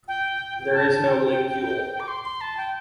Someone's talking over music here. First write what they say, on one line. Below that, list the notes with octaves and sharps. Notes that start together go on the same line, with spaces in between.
There is no ligule.
G5
G5
A5
A5
G5
D6
C6
C6
A5
G5